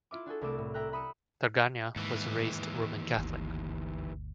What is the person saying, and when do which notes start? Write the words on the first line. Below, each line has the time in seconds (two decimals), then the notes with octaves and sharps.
Draganja was raised Roman Catholic.
0.11 E4 F4 E5 D6
0.26 D4 F#4 G#4 A4
0.41 C2 A3 D6 E7
0.58 A2
0.74 E5 G5 A#5 F#6
0.92 E5 B5 D#6 C#7 E7
1.96 D#2 G#2 E3
3.17 G1 D2